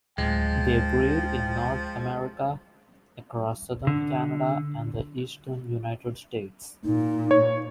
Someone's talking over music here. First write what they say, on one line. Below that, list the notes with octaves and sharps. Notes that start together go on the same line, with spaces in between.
They breed in North America, across southern Canada and the eastern United States.
D1 F3 G#3 G5
D3
A#2 D#4
C#5